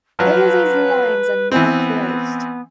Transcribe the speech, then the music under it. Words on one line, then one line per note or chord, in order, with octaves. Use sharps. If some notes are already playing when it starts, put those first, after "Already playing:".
All these lines are now closed.
F3 F#3 B4
E3 B3 C4